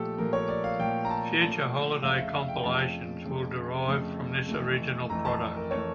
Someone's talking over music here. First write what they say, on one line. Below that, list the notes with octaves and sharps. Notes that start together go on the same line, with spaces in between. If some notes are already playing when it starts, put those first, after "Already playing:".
Future holiday compilations will derive from this original product.
Already playing: A#2 F3 A3 G4 A4
A#2 F3 A3 A#4
C#5
D5
F5
A#2 F3 A3 G5
A#5
A5
A#2 F3 A3 A5
F2 C#3 F3 A3 F5
E5
F5
G5
F2 C#3 F3 A3 A5
F2 C#3 F3 A3
F2 C#3 F3 A3
F2 E3 A3
F2 E3 A3 A#5
A5
A#4
E3 A3 C#5